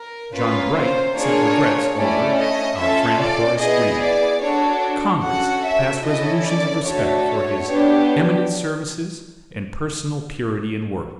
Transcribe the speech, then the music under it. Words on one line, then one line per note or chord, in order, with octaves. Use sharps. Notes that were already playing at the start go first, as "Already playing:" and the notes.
John Bright sent regrets over "our friend, Horace Greeley." Congress passed resolutions of respect for his "eminent services and personal purity and worth."
Already playing: A#4
A#3 C#4 F4 B4
C5
A#3 D4 F4 G#4 C#5
A3 C#4 E4 D5
D#5
C#4 F4 A4 E5
D5
B3 E4 G#4 D#5
D5
D4 F#4 A4 C#5
C#4 F#4 A4 F#5
E5
C#4 E4 A4 D#5
D5
A3 D4 F#4 A4 C#5
C#5
B3 D4 G4